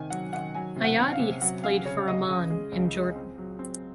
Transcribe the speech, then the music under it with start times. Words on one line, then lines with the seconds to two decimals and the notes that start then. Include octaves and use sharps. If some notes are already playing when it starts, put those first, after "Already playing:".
Ayadi has played for Amman in Jordan.
Already playing: C3 D#3 G#5
0.10 F#3 F#5
0.33 D#3 F#5
0.54 F#3 G#5
0.76 C3
0.84 F#5
0.98 C#4
1.13 F5
1.19 C3
1.41 F#3 F#5
1.63 C#4 F5
1.85 C#3 C#5
2.08 C#3 D#5
2.28 C#3
2.50 G#3
2.72 C#2
2.94 G#3
3.16 C4
3.38 F#3
3.59 C4